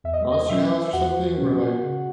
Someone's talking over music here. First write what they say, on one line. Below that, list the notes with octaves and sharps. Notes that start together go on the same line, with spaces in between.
Monster House or something where, like,
E2 E5
D#5
D#5
B2 F#3 C#4 E5
E5
E2 F#4 F#5
B2 F#3 C#4
C#3